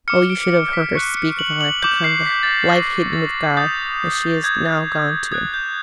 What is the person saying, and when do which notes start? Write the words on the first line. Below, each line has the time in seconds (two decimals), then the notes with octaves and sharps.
Oh, you should have heard her speak of the life to come--the life hidden with God, that she is now gone to.'
0.08 D6 F6 C#7
0.30 D7
0.73 B6
0.95 C#6 F#6 C#7
1.17 C#7
1.39 F#7
1.61 F#7
1.82 D6 G6 F#7
2.04 C7
2.26 B6
2.43 A6
2.48 A#6
2.70 C#6 E6 G6 A#6
3.13 A6
3.57 D#6 G6 A6
4.44 D#6 G6 G#6
5.32 D#6 F#6 G#6
5.54 G6